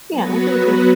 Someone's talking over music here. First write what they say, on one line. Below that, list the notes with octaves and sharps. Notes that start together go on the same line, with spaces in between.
Yeah, and I think in
F#3 B3 F#4 B4